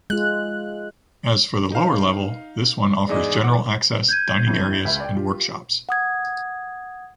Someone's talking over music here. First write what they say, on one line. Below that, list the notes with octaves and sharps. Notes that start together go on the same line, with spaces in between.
As for the lower level, this one offers general access, dining areas, and workshops.
G#3 F4 F#6
D#4 F5
E2 G#2 G#4 D5 D#5
E3 F#5 D6
G6 G#6 D#7
G1 F2 A2
C#2 E5 B5
D5 G5
F4 G4
F#5 D#6 G#6